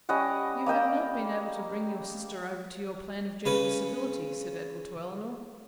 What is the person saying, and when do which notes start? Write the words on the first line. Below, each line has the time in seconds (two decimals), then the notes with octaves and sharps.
"You have not been able to bring your sister over to your plan of general civility," said Edward to Elinor.
0.09 G3 C#4 D#5 F#5
0.66 A#3 D#5 G5 E6
3.46 C#3 C#4 B4